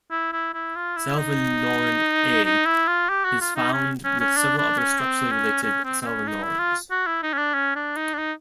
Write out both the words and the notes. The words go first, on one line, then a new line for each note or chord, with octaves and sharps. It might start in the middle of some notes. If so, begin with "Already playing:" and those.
Salvinorin A is found with several other structurally related salvinorins.
E4
E4
E4
F4
E4
D#4
D#4
E4
F4
G4
F#4
F4
D#4
C#4
C#4
C#4
D4
D4
C#4
C4
C#4
C#4
C4
C4
C#4
D#4
E4
F4
F#4
E4
D#4
C#4
D4
C#4
D4
D#4
D4
D#4